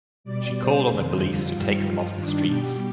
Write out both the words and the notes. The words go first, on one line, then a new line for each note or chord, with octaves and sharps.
She called on the police to take them off the streets.
B2 G3 D5
B2 G3 C5
F2 C3 D#3
F2 D3 G3 F4
G2 D#3 G3
G2 F3
G2 D#3 G3 D4
B2 G3 G4